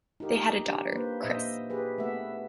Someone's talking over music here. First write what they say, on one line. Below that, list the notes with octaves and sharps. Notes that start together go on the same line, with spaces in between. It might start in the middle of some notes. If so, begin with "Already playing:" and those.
They had a daughter, Chris.
D#4 F4 G4 A#4
D4 G4
A#3 B4 C5
A#2 C5 D#5 E5
G4 G#4 B4
A3 B3 E5 F#5